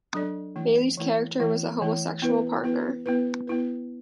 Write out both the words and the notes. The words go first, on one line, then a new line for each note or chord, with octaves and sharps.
Bailey's character was a homosexual partner.
F#3 D4 A4 D5
E3 A3 E4
E3 A3 E4
E3 A3 E4
E3 A3 E4
B3 E4 B4
B3 E4 B4
B3 E4 B4
B3 E4 B4